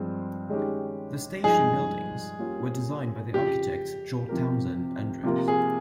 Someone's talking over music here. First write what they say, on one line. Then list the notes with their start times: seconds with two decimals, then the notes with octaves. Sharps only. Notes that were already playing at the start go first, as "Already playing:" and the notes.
The station buildings were designed by the architect George Townsend Andrews.
Already playing: G2 F3 G#3 C4
0.49 D#3 G#3 C#4 G4
1.44 G2 F3 G#3 D#4 G4 G#4
2.39 G3 A#3 C#4 F4
3.34 F2 C#3 F3 G4
4.29 C3 F3 C4 G4 A#4
5.23 C3 F3 A#3 F4 A#4
5.48 G#4